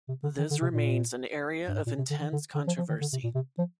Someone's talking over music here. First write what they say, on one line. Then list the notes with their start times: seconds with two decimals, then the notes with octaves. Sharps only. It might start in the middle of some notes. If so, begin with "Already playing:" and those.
This remains an area of intense controversy.
0.08 C3
0.23 D3
0.38 D#3
0.50 D3
0.62 C3
0.72 A#2
1.68 G2
1.75 G#2
1.86 A#2
1.98 C3
2.10 D3
2.21 D#3
2.32 D3
2.55 D3
2.67 F3
2.78 F3
2.89 D#3
3.01 D3
3.13 C3
3.23 A#2
3.35 C3
3.58 F3